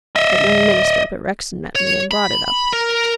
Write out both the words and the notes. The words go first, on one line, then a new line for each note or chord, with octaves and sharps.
That young minister up at Rexton met me and brought it up.
D#5 E5
C#5
B5
A#4